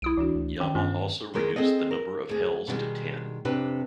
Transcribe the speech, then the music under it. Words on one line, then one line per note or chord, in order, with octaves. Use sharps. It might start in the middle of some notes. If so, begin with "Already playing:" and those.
Yama also reduced the number of hells to ten.
C2 E4 D#6 D7
C#2 E3 D4 F#4
D2
D#3 C#4 G5
G2 G#3 B3 C#4 F4
E2 D#3 G#3 A#4
C4 G#4 A4 D#5
A#4
D2 G#4
B2 D3 D#3 G3 G#3
F2 C3 D4 G4 B4